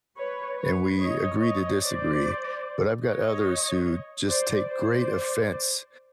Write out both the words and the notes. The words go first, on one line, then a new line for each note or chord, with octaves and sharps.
and we agree to disagree, but I've got others who just take great offense
B4 C#5
B4 C#5
C#5 D#5
C#5 D#5
C5 D5
C#5 D#5
C5 D5
C5 D5